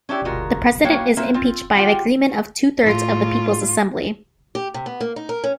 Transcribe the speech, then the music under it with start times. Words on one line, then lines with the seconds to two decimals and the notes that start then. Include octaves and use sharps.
The President is impeached by the agreement of two-thirds of the People's Assembly.
0.09 C#4 D4 E4 G4
0.25 G#3 F4 F#4 A#4
0.85 A#3 B3 F#4 C#5 F5 G5
1.17 A#3 C4 B4 E5
1.34 C4 F4
1.75 F4 G4 F#5 G5
2.82 A2 F4
4.55 G4
4.74 C3
4.86 B3
5.01 A#3
5.16 D#4
5.29 A#4
5.44 C#4